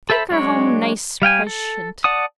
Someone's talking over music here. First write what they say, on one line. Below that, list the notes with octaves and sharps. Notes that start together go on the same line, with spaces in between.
Take her home nice preshent.
A4 C5 E5 B5
F#3 G#3 D4 C#5
G3 F5 G5 G#5
A4
D5 F#5 A5 D#6